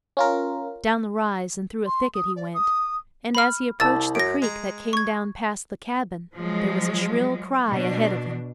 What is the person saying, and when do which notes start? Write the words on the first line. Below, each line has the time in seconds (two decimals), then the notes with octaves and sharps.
Down the rise and through a thicket he went, and as he approached the creek that came down past the cabin there was a shrill cry ahead of him.
0.17 C#4 F4 A#4
1.86 C6
2.14 D#6
2.36 D5
2.53 D#6
3.35 B5 F6
3.80 C2 A5 E6 A6
4.15 F#2 A#6 D7
4.42 G#3 A#5
4.93 C#6 G#6
6.35 F3 F#3 G#3
7.70 B2 D4